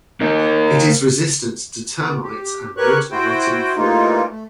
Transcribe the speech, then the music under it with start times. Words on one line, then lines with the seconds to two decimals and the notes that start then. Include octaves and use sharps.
It is resistant to termites and wood-rotting fungi.
0.21 A#3 D#4
1.99 B3
2.22 G4
2.77 G4 A#4 B4 C#5 C#6 F#6
3.11 E4 F#4 C5 G5
3.76 E3 G3 A3 A#3 D#4 F4
4.29 A3